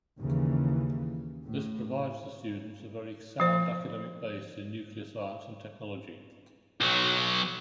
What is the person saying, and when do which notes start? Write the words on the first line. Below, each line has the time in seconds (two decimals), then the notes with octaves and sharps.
This provides the students a very sound academic base in nuclear science and technology.
0.18 D#2 C#3 E3
1.44 A2
3.40 F3 C5
6.81 B1 F#3